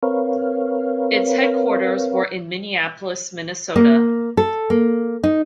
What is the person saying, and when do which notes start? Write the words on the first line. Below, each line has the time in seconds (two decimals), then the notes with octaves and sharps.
Its headquarters were in Minneapolis, Minnesota.
0.03 C4 A#4 B4 C#5 F5
3.76 A#3
4.37 A4
4.70 A#3
5.23 D#4